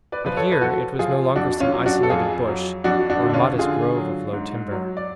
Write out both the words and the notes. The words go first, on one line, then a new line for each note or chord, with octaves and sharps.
But here it was no longer some isolated bush or a modest grove of low timber.
B4 D5
F3 B4
A4 C#5
B4
F3 F#4 A4
F3 F4 G#4
F2 D4 F#4
C#4 F4
F#3
D4 F#4
A4
F2 F4 G#4
F#3
F2 D4 F#4
D4 F#4
D3
D4
C#4 F4
D3 F4 G#4
F#3
G#2
F#3
D5